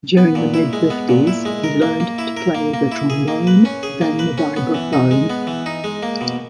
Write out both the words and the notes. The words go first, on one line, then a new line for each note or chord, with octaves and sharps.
During the mid-fifties he learned to play the trombone, then the vibraphone.
B3
A#2
E4
G#3
B3
A#2
E4
G#3
A#4
A#3
A#3
E4
A#4
A#3
A#3
E4
G#4
A#3
B4
C#4
G#4
A#3
B4
C#4
B3
E3
D#4
G#3
B3
E3
D#4
G#3
A#3
B2